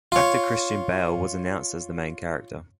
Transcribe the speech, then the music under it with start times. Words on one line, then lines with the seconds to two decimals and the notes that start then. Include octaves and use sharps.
Actor Christian Bale was announced as the main character.
0.12 F4 C#5